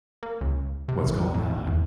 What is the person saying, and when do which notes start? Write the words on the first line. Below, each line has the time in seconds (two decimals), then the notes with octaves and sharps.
what's going on
0.23 A#3
0.41 C#2
0.88 C3
1.06 A1
1.34 A2
1.50 G#1
1.67 E2